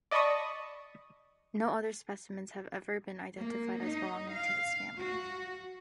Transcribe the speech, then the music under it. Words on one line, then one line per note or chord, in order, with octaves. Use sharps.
No other specimens have ever been identified as belonging to this family.
D5 D#5 A5 B5 C#6 D#6
A#3
D#4
F5
F#4